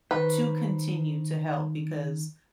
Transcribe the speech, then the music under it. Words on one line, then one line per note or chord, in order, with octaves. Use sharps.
to continue to help because
D#3 D#4 B4 C5